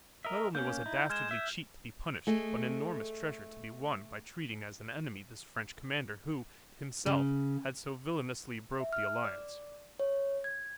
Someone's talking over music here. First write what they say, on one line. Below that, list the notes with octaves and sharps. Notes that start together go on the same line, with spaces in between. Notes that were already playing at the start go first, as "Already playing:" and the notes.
Not only was a dastardly cheat to be punished but an enormous treasure to be won by treating as an enemy this French commander who, himself, had so villainously broken the alliance.
A#4 D#5 E5
A#3 C#4 G6
D#4 E4
G#3 F6 G#6 E7
E5
A3 G#4 D#5
C#3
E5
F6
D5
C#5
G#6